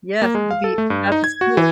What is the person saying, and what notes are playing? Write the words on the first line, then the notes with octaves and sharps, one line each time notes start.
Yes, you'd be at the school.
A#3
G#3
F5
A4
A3
G2
D#4
G#6
F#4
E3